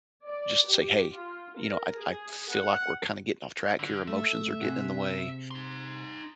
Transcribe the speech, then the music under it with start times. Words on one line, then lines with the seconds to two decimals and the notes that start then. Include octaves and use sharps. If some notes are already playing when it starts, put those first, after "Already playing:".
just say, "Hey, you know, I I feel like we're kinda getting off track here, emotions are getting in the way,
0.26 D5
0.69 G4
1.16 F4
1.61 A#4
1.99 G#4
2.53 F#5
3.79 D3
4.08 A3 E5
4.61 C3 G#4 F#5
5.51 D#4 C6